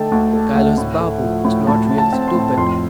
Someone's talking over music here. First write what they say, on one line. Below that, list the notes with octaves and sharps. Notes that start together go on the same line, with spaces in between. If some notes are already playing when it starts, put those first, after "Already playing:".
Kailas Babu was not really stupid.
Already playing: D3 A3 D#4 G5 A5
D2
A3
D2
A2
A3
F3
A2
A2 A5
A2
A5
C4
C6
A2
F2 C6